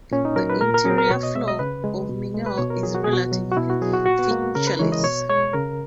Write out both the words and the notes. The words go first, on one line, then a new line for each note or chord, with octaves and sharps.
The interior floor of Mineur is relatively featureless.
A#2 C#4
D#4
F#3 A#4
B4
A#2 A#4
A#4
F#3 G#4
A#4
B2 C#5
D#5
G#3 E5
D#5
C#3 B4
G#3
B2
G#3
B4
B2 C#5
A#4
F#3 G#4
F#4
B2 G#4
F#4
F#3
F#4
B2 E4
F#4
F#3 G#4
F#4
A#2 F#4
B3
G#3 A#3
C#3 A#4
B4
E3 G#3 C#5
D#5
B2 C#5
G#3 C#5
C#3 A#4